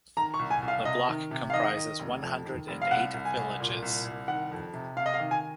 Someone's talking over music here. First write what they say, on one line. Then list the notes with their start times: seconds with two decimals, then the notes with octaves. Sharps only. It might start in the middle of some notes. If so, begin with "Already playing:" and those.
The block comprises one hundred and eight villages.
0.17 D#3 A#5
0.34 C#6
0.39 C2
0.50 G#5
0.62 C2
0.68 F5
0.85 C3 D#5
1.08 D#3
1.31 C3
1.50 F5
1.54 D#3 D#5
1.76 D#3
1.99 F1
2.22 F2
2.45 D#3
2.68 F1
2.82 F5
2.91 C2 F#5
3.14 C2
3.25 G#5
3.37 C2
3.60 A#2
3.82 C2
4.05 C2
4.28 D#3 F#5
4.51 F2
4.74 C3
4.97 C3 F5
5.06 D#5
5.14 F5
5.20 D#3
5.31 G#5